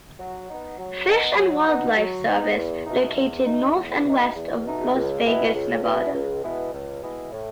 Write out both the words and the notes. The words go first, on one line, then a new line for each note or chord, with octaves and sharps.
Fish and Wildlife Service, located north and west of Las Vegas, Nevada.
F#3
B3 D#4
F#3
B3 D#4
F#3
B3 D#4
F#3
B3 D#4
E2
B2 A3 D#4
E2
B2 A3 D#4
E2
B2 A3 D#4
E2
B2 A3 D#4
C#2
B2 G#3 B3 E4
C#2
B2 G#3 B3 E4
C#2
B2 G#3 B3 E4
C#2
B2 G#3 B3 E4
A2